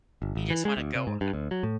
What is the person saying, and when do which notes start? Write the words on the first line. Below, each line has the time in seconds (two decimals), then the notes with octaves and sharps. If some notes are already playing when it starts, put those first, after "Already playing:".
You just wanna go, uh,
0.22 G1
0.35 G#1
0.50 E3
0.65 G#3
0.77 D2
0.95 C3
1.07 G#2
1.21 G2
1.33 D2
1.51 F#3
1.63 A2